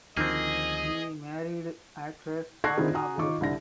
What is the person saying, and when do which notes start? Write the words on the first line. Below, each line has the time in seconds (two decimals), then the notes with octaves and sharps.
He married actress Sadhana Bose.
0.17 D2 D#3 F3 A#3 C4 G#4 D#5
2.64 A5 C#6 F#6 G#6 A#6 C7
2.77 D3 D#3 C4 E4 F4 G#4
2.94 F#4 G#5 A#5 D#6
3.18 D#3 D#4 F4 C#6 D6
3.41 C2 D3 A#6